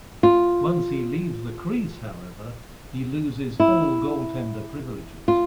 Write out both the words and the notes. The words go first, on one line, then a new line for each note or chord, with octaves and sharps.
Once he leaves the crease, however, he loses all goaltender privileges.
F4
E4
F4